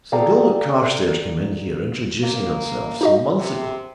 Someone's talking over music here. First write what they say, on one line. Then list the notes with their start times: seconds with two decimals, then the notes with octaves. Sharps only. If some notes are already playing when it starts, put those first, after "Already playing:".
Sir Gilbert Carstairs came in here, introducing himself, some months ago.
0.12 G#4 A4 D5 F5 G5 A#5
2.24 A#3
3.01 D#4 F#4 D#5
3.39 C3